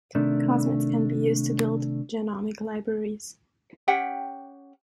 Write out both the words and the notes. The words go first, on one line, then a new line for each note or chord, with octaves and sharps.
Cosmids can be used to build genomic libraries.
C3 D#3 A3 D4
C#4 G4 F#5 G5